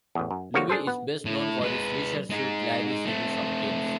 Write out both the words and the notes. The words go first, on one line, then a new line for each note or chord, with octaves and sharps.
Lowe is best known for his "Leisure Suit Larry" series of games.
A1 E2
F#2
D3 F3 G3 A#3 F#4 C#5
D4 G#4 A4 C5
B3
A2
G#3 B4
G#3 D#4
A3 C4